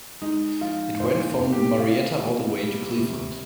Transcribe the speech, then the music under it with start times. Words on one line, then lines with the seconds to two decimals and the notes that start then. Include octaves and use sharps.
It went from Marietta all the way to Cleveland.
0.22 G#3 D#4
0.61 F3 F4
1.00 A#2 C5
1.39 A#2
1.53 G4
1.79 C3 F4
2.18 G3
2.57 G3
2.97 C3